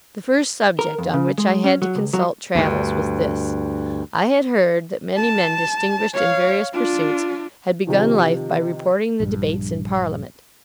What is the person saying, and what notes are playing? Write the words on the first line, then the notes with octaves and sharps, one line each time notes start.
The first subject on which I had to consult Traddles was this,--I had heard that many men distinguished in various pursuits had begun life by reporting the debates in Parliament.
A#4
F2
C#3
G#3
C#4
F#3
C#2
F#3
D2 G2
A5
C#5 F5
D4 F4
C3 D#3 F3
A#1 G2